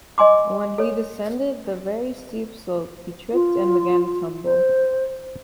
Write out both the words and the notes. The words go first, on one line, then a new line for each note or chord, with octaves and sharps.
When he descended the very steep slope, he tripped and began a tumble.
D#5 G#5 C6 D6
A4 C#5
F4
C5